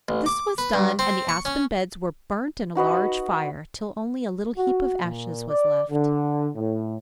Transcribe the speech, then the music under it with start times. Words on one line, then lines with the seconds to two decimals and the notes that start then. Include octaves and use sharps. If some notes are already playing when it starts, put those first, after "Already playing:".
This was done and the aspen beds were burnt in a large fire, till only a little heap of ashes was left.
0.09 A1
0.26 D6
0.58 B4
0.73 G2
0.99 C4
1.29 C#6
1.45 C#4
2.75 D#4 F#4 B4 D#5
4.58 F#4
5.03 A#2
5.50 D5
5.90 D3
6.55 A2